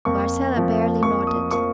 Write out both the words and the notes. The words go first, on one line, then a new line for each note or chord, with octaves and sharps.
Marcella barely nodded.
F2 F3 A#3 C#6
F2 F3 A#3
F2 F3 A#3 C#6
D#6
F3 A#3 C#6